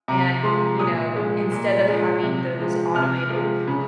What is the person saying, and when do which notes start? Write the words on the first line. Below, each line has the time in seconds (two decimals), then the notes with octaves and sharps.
and, you know, instead of having those automated,
0.08 C3 A#5
0.43 F3 G#3 C6
0.79 A#2 D#6
1.16 F3 G#3
1.52 A#2
1.88 F3 G#3
2.23 C3
2.59 F3 G#3
2.95 C3 F6
3.30 F3 G#3
3.68 C#3